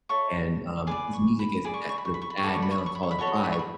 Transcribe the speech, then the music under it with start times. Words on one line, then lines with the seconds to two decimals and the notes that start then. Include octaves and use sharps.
and, um, his music is that sort of sad, melancholic vibe,
0.09 E4 A4 C#5 C#6
0.87 G#4 B4 D5 D6
1.13 C#6
1.39 B5
1.65 G#4 D5 B5
1.74 C#6
1.82 B5
1.89 C#6
1.98 B5
2.05 C#6
2.14 B5
2.22 C#6
2.30 B5
2.37 C#6
2.43 F#4 A4 D5 B5
2.54 C#6
2.63 B5
2.71 C#6
2.78 B5
2.86 C#6
2.95 B5
3.03 C#6
3.11 B5
3.19 F#4 A4 C#5 C#6
3.27 B5
3.35 C#6
3.44 B5
3.52 C#6
3.59 B5